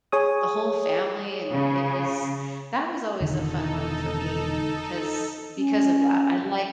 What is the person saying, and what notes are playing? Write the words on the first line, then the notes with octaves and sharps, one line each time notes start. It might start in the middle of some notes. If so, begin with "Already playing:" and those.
the whole family, and it was that was always a fun one for me because because of that, I'd like
G#4 C#5 D#6
C#3
E1 D3 D#3 D#4 A4
C#4